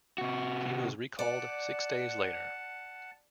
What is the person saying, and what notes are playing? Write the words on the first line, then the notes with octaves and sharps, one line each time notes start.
He was recalled six days later.
C3 F#4
D5 F#5 A5